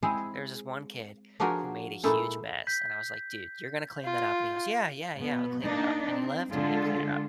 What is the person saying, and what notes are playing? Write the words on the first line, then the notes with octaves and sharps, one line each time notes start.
There was this one kid who made a huge mess, and I was like, "Dude, you're gonna clean that up?" And he goes "Yeah, yeah, yeah. I'll clean it up." And he left, and he didn't clean it up.
G#3 C4 E4 G#4
F3 D4 D#4 F#4 G#4 A#4
A#2 G#3 A3 D#4 E4 A4
G6 B6
F4
B2 B3
A#3 D4 D#4
C4
D3 G#3 F4 A4